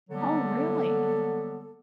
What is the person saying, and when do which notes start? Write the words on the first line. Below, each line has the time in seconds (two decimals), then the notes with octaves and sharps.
Oh, really?
0.10 D3 F#3 G3 A#3 B3 A4